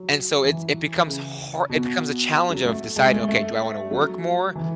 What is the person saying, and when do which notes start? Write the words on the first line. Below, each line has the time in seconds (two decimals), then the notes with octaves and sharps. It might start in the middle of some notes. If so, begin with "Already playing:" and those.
and so it's it becomes har it becomes a challenge of deciding, okay. Do I wanna work more,
Already playing: F#3
0.44 E3
1.06 C#3
1.69 B2
2.50 F#3
2.65 A3
2.96 G#3
3.13 A3
3.29 A3
3.91 F#3
4.55 E3